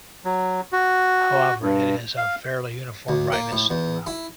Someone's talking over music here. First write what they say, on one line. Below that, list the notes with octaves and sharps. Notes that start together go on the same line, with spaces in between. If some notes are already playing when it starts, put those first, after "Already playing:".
However, it is of fairly uniform brightness throughout.
F#3
F#4
G2
F5
D2
A#3
A2
E2
E4